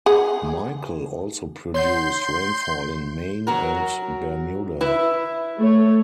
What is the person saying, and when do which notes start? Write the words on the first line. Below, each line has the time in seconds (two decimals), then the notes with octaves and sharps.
Michael also produced rainfall in Maine and Bermuda.
0.06 G#4 F#5
1.74 C#5 F#5 C6 G6
3.47 F#3 F#4 A#4
4.81 E4 B4 E5
5.59 A3 C#5